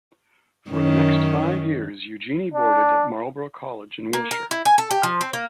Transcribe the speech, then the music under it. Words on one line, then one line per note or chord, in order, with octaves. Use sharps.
For the next five years, Eugenie boarded at Marlborough College in Wiltshire.
F#2 D#3 C#4
D4
A#3
A#4
E4
G#5
A4
G4
F3
C4
A#3